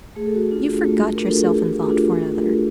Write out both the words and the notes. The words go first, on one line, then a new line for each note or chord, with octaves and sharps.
You forgot yourself in thought for another.
A3 G#4
A4
F#4 G#4
D4 F4
A3
A#4
D4 F4
A4
G#4
A3 G4
D4 F4
A3